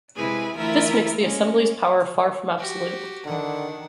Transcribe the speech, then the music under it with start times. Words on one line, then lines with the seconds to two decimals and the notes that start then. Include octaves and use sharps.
This makes the Assembly's power far from absolute.
0.16 C3 G#3 E4 G#4 B4 G#5
0.57 D2 E3 E4 F4 A#4 E5
1.18 G#3 A#3 C#4
2.58 F#4 G4
3.26 D3 D#3 D4 F#5